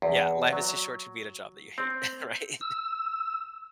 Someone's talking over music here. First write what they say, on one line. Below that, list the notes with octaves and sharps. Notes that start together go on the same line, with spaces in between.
Yeah, life is too short to be at a job that you hate, right?
E2
F#3
C4
E6